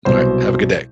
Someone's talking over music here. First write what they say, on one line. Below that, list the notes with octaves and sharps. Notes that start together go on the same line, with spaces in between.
All right, have a good day.
C2 B2 F#3 C5